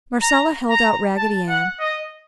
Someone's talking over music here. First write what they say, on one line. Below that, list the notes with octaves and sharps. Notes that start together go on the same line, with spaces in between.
Marcella held out Raggedy Ann.
A#5
A#5
A5
F#5
D#5